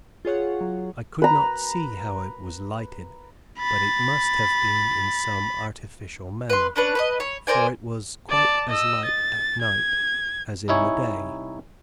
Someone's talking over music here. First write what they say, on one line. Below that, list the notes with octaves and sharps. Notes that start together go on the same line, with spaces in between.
I could not see how it was lighted, but it must have been in some artificial manner, for it was quite as light at night, as in the day.
F4 G#4 C#5 F#5
F#3
B4 A#5
B5 A6
B4 C6
C#4 D4 B4
B4 C5 D#5
C#5
A#4 C5 D5 G#5
D5 A5
D#5 E6
A6
G#6
C2 D#4 E4 C#5 G#5